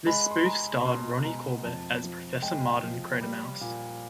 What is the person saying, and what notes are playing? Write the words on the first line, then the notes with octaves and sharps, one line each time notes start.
This spoof starred Ronnie Corbett as "Professor Martin Cratermouse".
G#3 B5
C6
B5
G#3 A#5
B2 C6
G#3 A#5
F2 A5
F3
G#3 G5
F3
G3
A#2